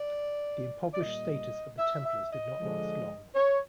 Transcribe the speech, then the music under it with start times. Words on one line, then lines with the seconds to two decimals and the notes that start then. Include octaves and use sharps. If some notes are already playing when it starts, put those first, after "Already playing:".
The impoverished status of the Templars did not last long.
Already playing: D5
0.94 D5
1.00 A#2 G3 D#5
1.78 E5
2.05 E5
2.31 D#5
2.57 D3 F3 G#3
3.35 C#5